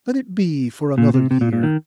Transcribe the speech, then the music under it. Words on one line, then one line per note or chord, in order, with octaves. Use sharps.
Let it be for another year.
A#2
C3
C3
A#2
A#2
D#3